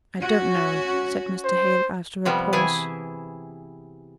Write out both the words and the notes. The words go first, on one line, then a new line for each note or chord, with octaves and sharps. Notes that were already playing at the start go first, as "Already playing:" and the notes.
'I don't know,' said Mr. Hale, after a pause.
C#4 F#4
C5
C3 F3 G3 B3
E3 E4 G#4 G#5 A5